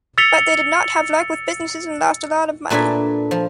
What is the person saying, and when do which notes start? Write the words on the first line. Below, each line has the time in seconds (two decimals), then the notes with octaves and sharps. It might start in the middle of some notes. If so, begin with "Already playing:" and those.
But they did not have luck with businesses and lost a lot of money.
0.18 E6 A6 B6 C#7 F7 G7
2.70 A#2 A3 D4 B4 D5 G#5
3.31 F3